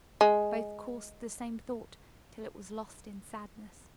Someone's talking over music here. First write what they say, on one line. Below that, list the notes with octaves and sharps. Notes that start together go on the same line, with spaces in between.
Both coursed the same thought till it was lost in sadness.
G#3